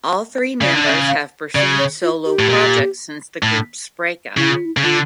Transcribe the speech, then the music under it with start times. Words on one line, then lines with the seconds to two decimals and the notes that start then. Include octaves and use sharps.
All three members have pursued solo projects since the group's breakup.
0.61 C#3 D5
0.75 D3
0.85 E5
0.88 C#3
1.08 F5
1.55 C#3 D5
1.79 C#5
2.02 F4
2.25 G4
2.39 A2
2.49 A#2
3.43 A2
4.37 C#3 E4
4.51 F4
4.65 E4
4.77 C#3
4.84 D3 F4